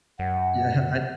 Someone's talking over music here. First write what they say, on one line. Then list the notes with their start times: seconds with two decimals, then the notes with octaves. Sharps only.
Yeah, I
0.19 F#2 F#5